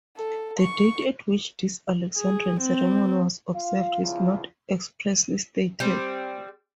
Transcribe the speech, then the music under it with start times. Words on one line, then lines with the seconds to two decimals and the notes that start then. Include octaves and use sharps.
The date at which this Alexandrian ceremony was observed is not expressly stated.
0.17 A4
0.59 C#6
2.17 G#4
2.60 C4
3.54 F4 F5
4.01 B1 E2 C#3 E3 F3 F4
5.80 G3 C4